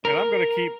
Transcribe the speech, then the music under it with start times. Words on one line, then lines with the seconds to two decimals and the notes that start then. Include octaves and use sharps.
And I'm gonna keep
0.05 A#4